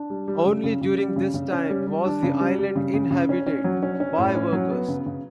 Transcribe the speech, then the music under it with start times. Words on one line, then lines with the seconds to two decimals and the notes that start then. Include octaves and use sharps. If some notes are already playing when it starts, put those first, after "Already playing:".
Only during this time was the island inhabited, by workers.
Already playing: D4
0.10 G3
0.28 G3
0.46 C#3
0.64 C#3
0.81 C#3
0.98 G3
1.16 C#3
1.34 C#3
1.52 C#4
1.69 G3
1.87 G3
2.05 D4
2.23 C#3
2.40 G3
2.59 G3
2.76 C#3
2.94 C#3
3.11 C#3
3.29 C#4
3.46 C#4
3.64 F#3
3.82 C#4
4.00 C#4
4.18 A2
4.35 C#4
4.52 F#3
4.71 B3
4.88 C#3
5.06 C#3